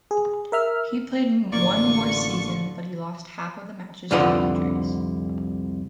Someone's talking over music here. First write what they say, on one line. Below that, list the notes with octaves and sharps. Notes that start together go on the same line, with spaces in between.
He played one more season but he lost half of the matches due to injuries.
G#4
A#4 E5 F6
A1 D3 A#3 F4 D5 C#6
C2 F2 D3 F4 B4 F#5